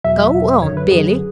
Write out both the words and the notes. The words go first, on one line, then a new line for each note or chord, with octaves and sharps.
"Go on, Billy."
E2 B2 F#3 E5
E2 B2 F#3
F#2 D3 F#3 C#5
B4
F#2 D3 F#3 G#4